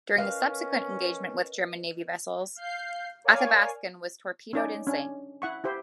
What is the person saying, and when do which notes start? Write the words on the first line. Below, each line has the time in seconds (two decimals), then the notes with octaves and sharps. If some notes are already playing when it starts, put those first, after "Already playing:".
During the subsequent engagement with German naval vessels, "Athabaskan" was torpedoed and sank.
0.18 C#4 A#4 B4 D#5 F5
2.56 F5 G6 C7
3.24 A#4 C#5 D5 F5 G#5
4.53 C#4 D#4 D5
4.87 C#4 D4
5.42 E4 F#5 C#6
5.64 E4 G4 C5